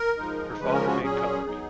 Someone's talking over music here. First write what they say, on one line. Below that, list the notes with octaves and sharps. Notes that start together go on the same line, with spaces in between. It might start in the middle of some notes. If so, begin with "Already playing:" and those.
Her father made cutlery.
Already playing: A#4
F3 G#3 D#4
C#3 F3 G#3 C#4 B4
A#4
F#4
A#2 F#3 C#4 G#4
F#3 B3 D#4